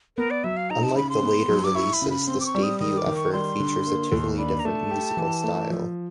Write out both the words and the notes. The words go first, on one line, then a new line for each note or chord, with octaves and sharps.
Unlike the later releases this debut effort features a totally different musical style.
B3 A#4
D5
F#3 E5
F5
D#4 A#5
A5
C#3 B5
C6
B3
F#3
D6
E4 C#6
B5
C#3
B5
C4 C6
D6
C#6
G3
D#6
D#3 D#6
D6
D#3
C#6
G3 C6
D3
A#3
D#2
D4 B5
A#5
A3 A5
G4
E3
A3
F3